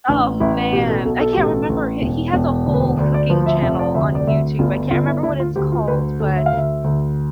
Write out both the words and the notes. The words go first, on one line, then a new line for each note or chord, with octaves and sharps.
oh, man. I can't remember, h he has a whole cooking channel on YouTube. I can't remember what it's called, but,
A1 D4
A1 E4
B2 G4
A4
B1 A4
A4
A1 G4
A4
A1
E1
E1
D2
B4
C5
D2 D5
D5
F3 B4
E5
F1 E5
D5
D2 E5
D5
D2 E5
G1 F4
G1 F4
E4
D2 E4
F4
D2 G4
F4
D2 B4
D2 A4
E5
F5
D2 E5
D2